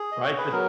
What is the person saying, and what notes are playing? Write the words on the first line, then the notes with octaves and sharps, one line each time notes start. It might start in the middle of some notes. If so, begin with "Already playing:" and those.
Right? But
Already playing: G#4
D#5
C#5
B4
F#3 B3 A#4